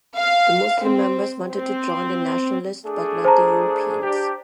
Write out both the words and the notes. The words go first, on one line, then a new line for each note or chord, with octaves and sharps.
The Muslim members wanted to join the nationalists, but not the Europeans.
F5
C4
C4
A3 D4 G#4
C5 A5 A#5
D4 G4